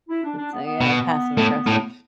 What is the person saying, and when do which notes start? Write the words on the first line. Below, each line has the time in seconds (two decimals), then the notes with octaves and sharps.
It's a, uh, passive aggressive
0.09 E4
0.24 D4
0.38 D4
0.52 B3
0.66 B3
0.81 B2
1.38 A2
1.67 A2